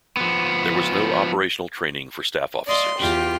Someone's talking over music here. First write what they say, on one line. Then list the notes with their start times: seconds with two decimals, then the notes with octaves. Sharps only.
There was no operational training for staff officers.
0.17 F3 B3
2.67 D5 D#5 F5 C6
2.97 E2 F4 G4 G5